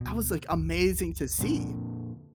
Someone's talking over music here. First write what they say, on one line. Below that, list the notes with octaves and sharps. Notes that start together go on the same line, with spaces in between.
That was, like, amazing to see.
D2 B2
F#1 C#2
F2 A#2 D3